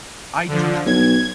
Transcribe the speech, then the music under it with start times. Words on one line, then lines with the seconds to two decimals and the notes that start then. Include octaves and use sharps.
I do see
0.48 D3 F3
0.86 B1 G#6